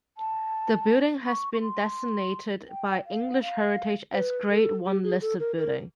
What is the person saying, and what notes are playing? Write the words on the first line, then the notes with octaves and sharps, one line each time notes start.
The building has been designated by English Heritage as a Grade One listed building.
A5
C#6
C#6
C6
G5
F5
F#5
F5
C5
B4
A4
G4
G#4
A4
A#4
A#4